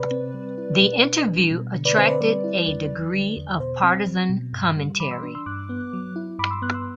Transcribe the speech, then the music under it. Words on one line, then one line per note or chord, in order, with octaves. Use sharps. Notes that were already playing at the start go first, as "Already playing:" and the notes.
The interview attracted a degree of partisan commentary.
Already playing: C3 B4 D5
C4
G3
E4
B2
D4
G3
B2
D3
B4 D5
C4 C5 E5
B4 D5
G3 B4 D5
E4
E2
F#3
D3
E2
B2 C5
C4
F#3
B2
G2
G3
E3 B5 D6
C6 E6
D4
C6 E6
G2 D6 F#6
B3
F#3
E4
G2 B5 D6
C6 E6
B3 D6 F#6
C6 E6